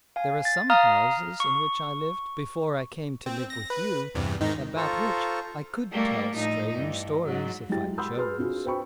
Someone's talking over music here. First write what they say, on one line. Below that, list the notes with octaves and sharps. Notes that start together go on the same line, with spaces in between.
There are some houses in which I lived, before I came to live with you, about which I could tell strange stories if I chose.
F5 G#5
A6
F5 A#5 D#6 F6
C#6
C4
A#6
B4
E2 G2 C3
G#2 D#3 D#4
F4 A4 C5 A#5 C#6
G3 A3 A#3
A2 F3 D#4
G2 E3
G#2 F#3
F#3 G#3 E4 G4 G5 A6
F#5 B5 C6 D#6 E6 G6
G#4 B4 C6 F6
C4 D4 F4 F#4 G#4
B4 C5 G5 B5 C#6